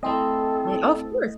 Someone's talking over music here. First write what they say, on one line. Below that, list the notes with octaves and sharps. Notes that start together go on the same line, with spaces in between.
Right, of course.
A3 C4 E4 A4 D#5